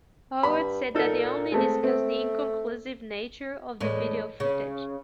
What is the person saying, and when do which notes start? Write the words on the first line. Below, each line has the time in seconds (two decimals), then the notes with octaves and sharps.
Howard said that they only discussed the inconclusive nature of the video footage.
0.43 G2 B5
0.95 A#2 D#4 A4 A#4
1.52 G#3 A3 C4
1.84 A3 C4
3.80 E2 A2 G#3
4.40 C#3